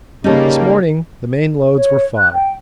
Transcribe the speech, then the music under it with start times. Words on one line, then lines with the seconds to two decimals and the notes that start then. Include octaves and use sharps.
This morning the main loads were fodder.
0.24 C#3 G3 A#3 C#4 D#4 G4 A4 C#5
1.77 C#5
2.17 F#6
2.33 G5